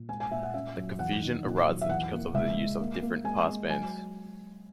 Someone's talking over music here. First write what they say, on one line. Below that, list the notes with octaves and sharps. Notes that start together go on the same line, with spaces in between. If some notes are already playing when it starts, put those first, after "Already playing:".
The confusion arises because of the use of different passbands.
Already playing: A#2
G#3 G#5
G#5
A#2 E5
F#5
C#4 E5
F#2
E2 F#5
D#3
A#2
F#3
E5
E2 F#5
A#3
C#2 E5
G#3
A#3
A#3
G#3 G#5
G#3
F#3 G#5